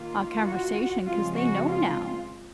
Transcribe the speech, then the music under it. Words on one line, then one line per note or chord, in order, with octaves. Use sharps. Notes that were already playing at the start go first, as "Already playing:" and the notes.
uh, conversation 'cause they know now.
Already playing: D#3 A#3 F4
F#4
C#3 F3 G#3 C4 F4
F#4
F4